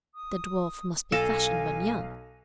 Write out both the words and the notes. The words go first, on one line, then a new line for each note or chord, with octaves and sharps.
The dwarf must be fashioned when young.
D#6
B1 A4 F5 G#5 A#6